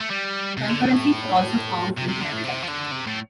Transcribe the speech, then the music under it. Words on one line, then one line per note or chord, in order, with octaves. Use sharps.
Concurrencies are also found in Canada.
A3
G3
C3
D3
C3
A2
C3
C3
D3
A2
C3
F3
D3
C3
A2